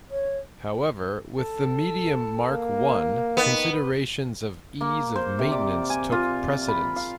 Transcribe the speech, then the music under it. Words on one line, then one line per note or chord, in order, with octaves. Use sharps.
However, with the Medium Mark One considerations of ease of maintenance took precedence.
C#5
A4
A#3
D#3 B3
A#3
C5
C3
D5
G#5
F4
B5
F5